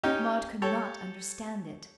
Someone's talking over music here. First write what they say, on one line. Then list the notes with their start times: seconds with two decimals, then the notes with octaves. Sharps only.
Maud could not understand it.
0.03 C#4 D#4 G4
0.62 G4 A4 C#5